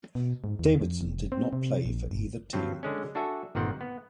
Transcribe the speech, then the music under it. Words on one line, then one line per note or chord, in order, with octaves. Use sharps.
Davidson did not play for either team.
B2
G#2
E2
F2
F1
C4
C3
A#1
G1
G2 F#3 C4
D3 G#3 C#4
D4 F#4 A4 E5 G#5
G1 A#2 D#3 C4 F#5
B3